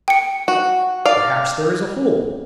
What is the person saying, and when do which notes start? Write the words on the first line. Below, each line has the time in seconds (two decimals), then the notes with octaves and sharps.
Perhaps there is a hole.
0.08 G5 C#7
0.48 F#4
1.06 D5 F5